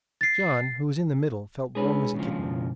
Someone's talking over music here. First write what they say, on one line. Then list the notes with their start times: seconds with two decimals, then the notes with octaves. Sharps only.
John, who was in the middle, felt warm as a kitten.
0.21 A6 C7
1.75 G#3 D4 G#4 B4 C#5
2.15 D#2 C#3 F3
2.40 F#2 B2